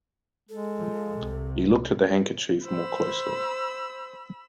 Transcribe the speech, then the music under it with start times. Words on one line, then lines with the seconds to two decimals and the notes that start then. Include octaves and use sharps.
He looked at the handkerchief more, closely.
0.49 G#3 A4
0.79 F3
1.17 C2 C3
2.65 C5 B5 E6